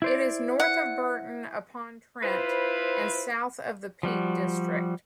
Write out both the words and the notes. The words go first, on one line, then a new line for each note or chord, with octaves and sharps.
It is north of Burton upon Trent and south of the Peak District.
E4 C5 D5
F#5
E4 F4 B4 C5
F3 G3 F#4